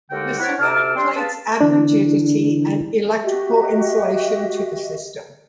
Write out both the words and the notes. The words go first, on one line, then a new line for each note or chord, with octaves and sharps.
The ceramic plates add rigidity and electrical insulation to the system.
D#2 D3 G#3 A#3 F#4 G5
C4 E4 B4 C#5 D5 F#5
D2 C3 A5 D6 E6 F6
G3 C4 D4 C6
G#4 B4 F5 A5
D3 E3 D4
F#4 G4 D#5 E5